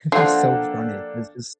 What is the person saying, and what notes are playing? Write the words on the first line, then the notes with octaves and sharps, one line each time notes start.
They're so funny. It's just
F3 A#3 D4 A4 F#5 G5